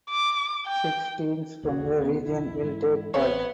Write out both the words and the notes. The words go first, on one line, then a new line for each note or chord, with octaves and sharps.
Six teams from the region will take part.
D6
G5
E1 A#1 D#2 F#4 G#4
D2 B2 B3
B1 E2 E4
G#2 E3 G#3
A1 B3 C#5